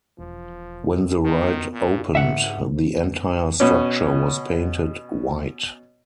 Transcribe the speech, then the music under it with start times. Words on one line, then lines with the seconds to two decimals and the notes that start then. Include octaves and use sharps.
When the ride opened, the entire structure was painted white.
0.18 E1 F3
1.24 D#3 B3
1.72 A#2
2.15 G#1 G#2 E5 F#5
3.60 B2 C#4